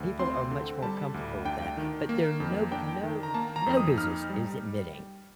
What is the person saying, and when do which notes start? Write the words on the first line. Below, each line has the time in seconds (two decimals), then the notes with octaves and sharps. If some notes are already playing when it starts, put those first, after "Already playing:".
people are much more comfortable with that, but there are no bu no no business is admitting
Already playing: D2
0.19 C4 C6
0.51 D3
0.82 G3 A5
1.14 D2
1.45 D4 G5
1.77 D#3
2.09 A#3
2.40 F2
2.72 D4 G5
3.03 D#3
3.23 A#5
3.34 A#3 A5
3.56 A#5
3.66 F2
3.77 D#6
3.98 D#4 F6
4.30 G3